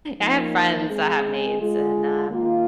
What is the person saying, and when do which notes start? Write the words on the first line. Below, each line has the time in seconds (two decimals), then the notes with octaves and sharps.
I have friends that have maids, and, um
0.17 F3 A#3 D#4
0.88 G#3 C4 G#4
1.59 G#3 F4 G#4
2.29 D#3 A#3 F4